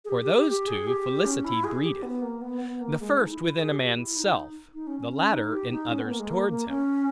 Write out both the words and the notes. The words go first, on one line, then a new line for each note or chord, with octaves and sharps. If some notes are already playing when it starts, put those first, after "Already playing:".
For those two, Felicity breedeth; the first within a man's self, the latter in others towards him.
G#4
G4
G4
G4
G4
G#4
G4
C#4
E4
G#4
G4
B3
A#3
B3
B3
A#3
G#3
D#4
E4
E4
G#4
G4
G4
E4
D#4
D#4
C#4
C#4
C#4
D#4
G4
D#4
C#4
B3
A#3
G#3
A#3
A#3
C#4